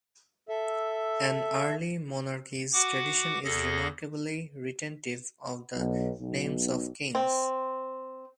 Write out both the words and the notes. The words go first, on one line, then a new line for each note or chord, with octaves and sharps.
In early monarchies, tradition is remarkably retentive of the names of kings.
A4 E5
F#4 F#5 D6
E2 G#4 A4 A#6
B1
B1
C4